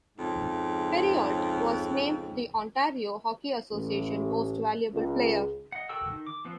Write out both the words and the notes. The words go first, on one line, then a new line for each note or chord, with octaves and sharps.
Perreault was named the Ontario Hockey Association most valuable player.
F2 G#2 C#3
A1
C#2
D#5 F#5
F#4 A4 A#4 G5 E6
D#3
D6
F3 B3 C4